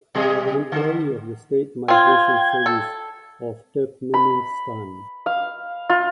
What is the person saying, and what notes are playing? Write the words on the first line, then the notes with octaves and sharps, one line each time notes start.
Employee of the State Migration Service of Turkmenistan.
B2 G3 G#4
D3
C4 F4 G5 G#6
A4
B5
F5
F4